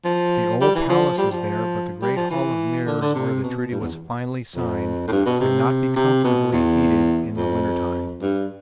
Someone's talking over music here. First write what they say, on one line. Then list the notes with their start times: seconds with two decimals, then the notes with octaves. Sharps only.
The old Palace is there but the great Hall of Mirrors where the treaty was finally signed could not be comfortably heated in the winter time.
0.05 F3
0.61 G3
0.75 E3
0.89 F3
1.18 G3
1.32 F3
2.02 G3
2.16 F3
2.31 E3
2.86 D3
3.01 D3
3.15 C3
3.43 B2
3.71 G2
3.81 E2
4.56 F2
5.08 A2
5.12 G2
5.26 B2
5.41 C3
5.96 C3
6.25 B2
6.53 E2
7.37 F2
8.21 G2